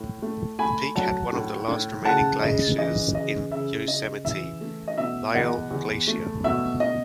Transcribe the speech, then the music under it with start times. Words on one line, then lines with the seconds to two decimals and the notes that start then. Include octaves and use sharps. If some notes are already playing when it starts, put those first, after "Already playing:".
The peak had one of the last remaining glaciers in Yosemite, Lyell Glacier.
Already playing: A2
0.22 A3
0.59 A3 G#5 B5
0.95 F#3 F#5 A5
1.32 A2
1.68 A2
2.05 C#3 F#5 A5
2.42 C#3 D#5
2.78 E3 D#5
3.15 C#3 D#5
3.52 C#3 E5
3.88 C#3 D#5
4.25 E3 E5
4.61 A3
4.88 D#5
4.98 B2 E5
5.34 E2 D#5 F#5
5.71 E2
6.08 A3
6.44 B2 E5
6.80 D#5